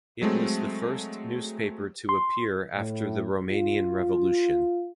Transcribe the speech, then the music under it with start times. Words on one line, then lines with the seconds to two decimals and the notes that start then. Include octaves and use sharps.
It was the first newspaper to appear after the Romanian Revolution.
0.21 F#3 G#3 A3 C4
2.09 C6
2.74 A2
3.49 F4